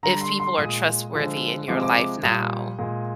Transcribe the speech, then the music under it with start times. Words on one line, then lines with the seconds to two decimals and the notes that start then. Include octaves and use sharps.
if people are trustworthy in your life now?
0.03 D3 G3 A#5
0.21 C6
0.40 C6
0.58 A#2 G#3 D#6
1.13 D3 F3 G#3
1.68 C3 F3 G#3 D6
1.82 D6
1.95 D6
2.23 A#2 G3 D#6
2.78 A#2 G#3